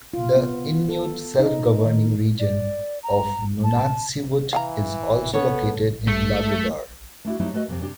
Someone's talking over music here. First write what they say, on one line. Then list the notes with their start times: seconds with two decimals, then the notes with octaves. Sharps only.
The Inuit self-governing region of Nunatsiavut is also located in Labrador.
0.14 F4
0.36 B3
0.89 A4
1.39 D#4
1.85 D#3
2.39 D5
3.03 A#5
3.64 A5
4.53 E3 F5 F#5 A#5
5.33 B3 A4 C#5
6.07 A3
7.25 A3 D4 E4 F#4
7.40 F#3 G3 A3 C4 D#4 E4
7.54 A3 F#4 B4 D#5
7.68 F2 C3 C4
7.81 C3 D4 G4